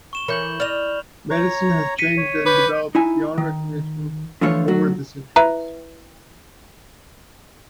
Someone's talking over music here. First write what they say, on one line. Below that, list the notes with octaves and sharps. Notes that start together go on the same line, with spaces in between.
Medicine has changed and developed beyond recognition over the centuries.
C#6 E7 G7
E3 A#4 C#5 B5 G6 F#7
D5 D#5 F6 F7
C#5 A#5
B6 C#7 D#7
C#5
B4 D6 G6
D#4 E4 G#5
D#3
D3 E3 F3 A3 F4 C#5
F#3 A3 F#4
E4 B4 A#5